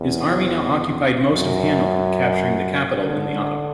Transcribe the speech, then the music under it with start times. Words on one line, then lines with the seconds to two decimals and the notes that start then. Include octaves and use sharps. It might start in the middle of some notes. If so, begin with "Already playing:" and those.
His army now occupied most of Hanover, capturing the capital in the autumn.
Already playing: E2
1.32 F#2
3.04 D3